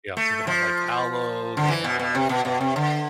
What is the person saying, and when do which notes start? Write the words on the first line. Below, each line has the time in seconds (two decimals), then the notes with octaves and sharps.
yeah, so they have, like, aloe, they have, um,
0.17 A3
0.47 F3
1.57 D3
1.68 E3
1.84 B2
1.99 B2
2.15 C3
2.29 B2
2.45 B2
2.61 C3
2.76 D3